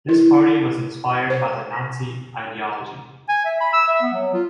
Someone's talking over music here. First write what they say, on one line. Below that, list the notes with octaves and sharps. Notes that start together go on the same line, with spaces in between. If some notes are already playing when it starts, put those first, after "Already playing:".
This party was inspired by the Nazi ideology.
E4
C5
G#5
E5
B5
E6
E5
B3
F#3
F4